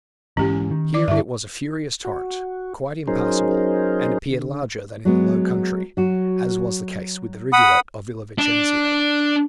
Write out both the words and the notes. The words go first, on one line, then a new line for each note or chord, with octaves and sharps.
Here it was a furious torrent, quite impassable, and appeared larger than in the low country, as was the case with the rivulet of Villa Vicencio.
G#2 E3 C#4 G4
D#3
D5 D6
G2 D3 E4 E5
F#4
F#3 C#4 D#4 G#4 A#4 C5
D3
F#3 G#3 B3
F#3 F#4
F#5 B5 D#6
D4